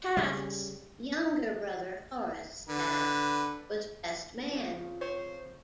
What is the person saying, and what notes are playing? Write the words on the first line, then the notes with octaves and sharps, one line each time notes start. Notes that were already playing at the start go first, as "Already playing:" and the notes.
Taft's younger brother Horace Taft was best man.
C#3 G3
D3 B4
F2 C#3 F3
C5 C#5